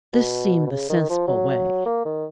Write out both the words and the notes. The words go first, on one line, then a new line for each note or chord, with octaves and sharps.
This seemed the sensible way.
B2
B2
C#3
D#3
F3
F#3
A#3
D#3